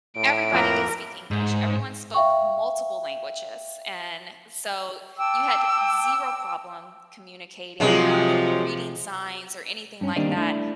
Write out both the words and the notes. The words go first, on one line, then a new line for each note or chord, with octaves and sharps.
everybody did speak English, everyone spoke multiple languages, and so you had zero problem communicating or reading signs or anything like that.
A2 D7
F2 A#3 A#4 B4
G#2
E5 F5 G5 C#6
G5 A5 D6 E6
C3 F3 F#3 G#3
G2 C#4
D#3 G3 A#3 C4 D4 D#4
A3 D4 E4